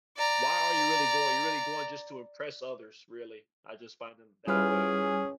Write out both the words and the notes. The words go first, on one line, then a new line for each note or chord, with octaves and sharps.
why are you really going? You're really going just to impress others, really. I just find them that way.
D5 A#5
G3 C#4 E4 F4 G#4 B4 F6